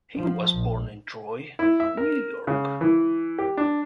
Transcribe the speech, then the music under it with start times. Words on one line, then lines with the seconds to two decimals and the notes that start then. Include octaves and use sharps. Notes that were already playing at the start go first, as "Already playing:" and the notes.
He was born in Troy, New York.
0.14 F3
0.53 A#1
1.59 E4
1.80 E5
1.97 A#4
2.47 C#3
2.81 E3
3.38 G4
3.57 D4